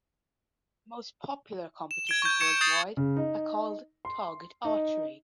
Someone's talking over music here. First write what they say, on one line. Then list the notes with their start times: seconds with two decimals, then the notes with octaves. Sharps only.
The most popular competitions worldwide are called target archery.
1.91 E7
2.07 G#6 D7 G7
2.22 C#6 G6
2.40 C#6 G#6 C#7 E7
2.61 D#6 G6 A6 C7
2.97 C#3
3.16 D#4
4.05 C6
4.64 D#4